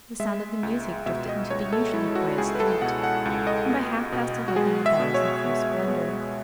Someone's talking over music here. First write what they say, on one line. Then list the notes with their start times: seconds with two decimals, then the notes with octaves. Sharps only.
The sound of the music drifted into the usually quiet street, and by half-past eleven the ball was in full splendour.
0.20 G#3 E5
0.63 C#2
1.06 B2 E5
1.29 D#5
1.50 C#2 C#5
1.73 A4
1.94 G#3 E4
2.15 F#4
2.38 C#2 G#4
2.55 B4
2.60 A4
2.82 B2 F#5
3.04 F#5
3.25 C#2
3.47 D#5
3.69 B3
4.12 B2
4.48 F#4
4.56 G#3 G#4
4.86 E5
5.00 B2
5.14 C#5
5.44 B3
5.88 B2